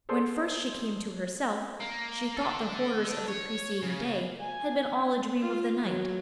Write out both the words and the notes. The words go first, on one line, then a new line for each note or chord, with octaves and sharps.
When first she came to herself, she thought the horrors of the preceding day had been all a dream of the night.
G#4 A4 C5 D5 C6
A#3
D4 A4
C#5
C#3
G#5
F4
F#3